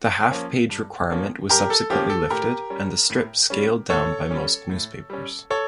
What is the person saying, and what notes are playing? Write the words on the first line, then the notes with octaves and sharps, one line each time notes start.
The half-page requirement was subsequently lifted, and the strip scaled down by most newspapers.
F3 A#3 C#4
G2
F3 A#3 C#4
G2 G4 A#4
A4
F3 A#3 C#4 G4
A4
A2 G4 A#4
G3 C#4
A2
G3 C#4
A2 A4 C#5
G3 C#4
A2
G3 C#4
A4 C#5